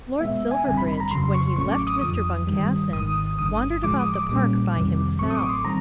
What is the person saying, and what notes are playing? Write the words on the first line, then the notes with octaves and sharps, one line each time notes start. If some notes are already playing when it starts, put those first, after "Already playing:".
Lord Silverbridge, when he left Mr. Boncassen, wandered about the park by himself.
B2 G#3 B3 E5
G#5
A1 G2 D3 G3 C4 G#5
B5
B5
A#5
F2 C#3 F#3 C6
C#6
A1 A2 F#3 A3 C#4 C#6
D6
D#6
F2 D3 F3 D#6
G2 D#3 G3
G#1 G#2 D#3 D#6
G1 G2 D3 D#6
A2 F3 G#3 D6
D#6
D6
B1 A#2 G3 A#3 C#4
F2 C3 D#3 G3 C4
A1 A2 F#3 A3 C4 C#6
D#6
D6
C6
D#3 G3 C4 A#5